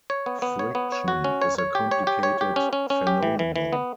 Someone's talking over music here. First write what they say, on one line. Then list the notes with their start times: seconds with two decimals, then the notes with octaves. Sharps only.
Friction is a complicated phenomenon.
0.10 C#5
0.26 B3
0.42 B3
0.59 C#5
0.75 B3
0.92 C#5
1.08 F#4
1.24 C#4
1.42 C#5
1.58 C#5
1.75 G4
1.91 C#5
2.07 G4
2.23 C#5
2.41 G4
2.56 C#4
2.73 C#4
2.90 C#4
3.07 G4
3.23 E3
3.39 E3
3.56 E3
3.73 B3